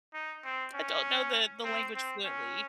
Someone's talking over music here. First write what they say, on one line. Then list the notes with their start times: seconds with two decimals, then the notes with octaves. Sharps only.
I don't know the the language fluently.
0.14 D#4
0.45 C4
0.74 C#4
1.64 C4
1.95 C4
2.24 C#4